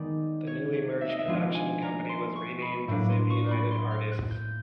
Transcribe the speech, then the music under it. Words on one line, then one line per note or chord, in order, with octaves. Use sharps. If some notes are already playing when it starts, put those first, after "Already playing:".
The newly merged production company was renamed Ziv-United Artists.
Already playing: D#3 G#3 B3 D#4 D5
C#5
C#5
E5
D#5
E5
F3 G#3 B3 D4 F4 F5
G#5
A#5
C6
C#6
B5
A2 F#3 A#3 D4
C6
C#6
B5
C6
F6
F#6
G6